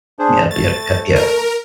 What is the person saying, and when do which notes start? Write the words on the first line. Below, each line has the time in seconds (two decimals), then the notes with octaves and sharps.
Yep, yep, yep, yep.
0.19 D4 G#4 C5
0.51 A3 A6
1.16 A#4